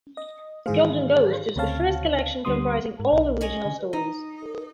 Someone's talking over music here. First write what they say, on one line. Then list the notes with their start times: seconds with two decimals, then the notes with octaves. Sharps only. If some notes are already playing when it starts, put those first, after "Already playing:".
"The Golden Ghost" is the first collection comprising all-original stories.
0.17 D#5
0.66 G#2 D#3 E3 G#4 C5 F5
1.56 D2 C#3 C4 C#5 F5 A5
2.45 D2 D3 G3 B3 C6 D#6
3.00 G#2
3.12 B1
3.41 C#4 D#5 G#5
3.65 D3
3.93 D#4